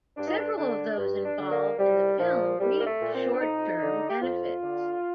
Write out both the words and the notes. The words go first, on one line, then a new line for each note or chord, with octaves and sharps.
Several of those involved in the film reaped short-term benefits.
G2 D4
D#4
D4
D3 D4
G2
D4
D3
A#3
C2 G3
A#2 F3
C2 G3
A#3
A3
A#2
C4
D4
F2 D#4
D3
G4
F2 F4
D3